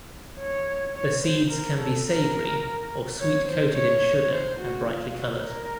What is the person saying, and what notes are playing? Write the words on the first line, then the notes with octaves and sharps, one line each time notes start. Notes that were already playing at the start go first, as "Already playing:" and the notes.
The seeds can be savory or sweet-coated in sugar and brightly colored.
C#5
C#5
C5
A#4
A4
A#4
C#5
C5
C#5
C5
F#4
F4
F#4
A#4